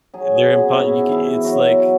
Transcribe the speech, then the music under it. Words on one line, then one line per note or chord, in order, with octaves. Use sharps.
uh, they're in part you ca it's, like
F#3 G#4
G#4
B2
B3 C#4
F#4
G#2 E4
E3 E4
F#3 F#4
F#3